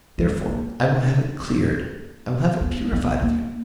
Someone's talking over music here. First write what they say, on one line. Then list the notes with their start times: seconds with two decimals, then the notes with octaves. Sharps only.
Therefore, I will have it cleared; I will have it purified of you.
0.18 G#3
0.48 A#3
2.61 B3
2.92 B3
3.22 A#3